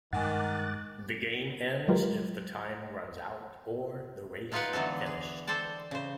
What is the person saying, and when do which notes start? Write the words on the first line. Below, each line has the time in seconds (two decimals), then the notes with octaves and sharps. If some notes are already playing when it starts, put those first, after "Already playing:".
The game ends if the time runs out or the race finished.
0.13 G2 D#3 G#3 F#5 G#5 D6 F#6 A6
1.88 F#3 G#3 F4 G4 A#4 B4
4.52 G#3 D#4 F4 A#4 B4 F#5
4.73 D3 E3 F#3 B3 A4
5.06 G#4
5.47 A4 C5 D5 G5 A5
5.91 C#3 C5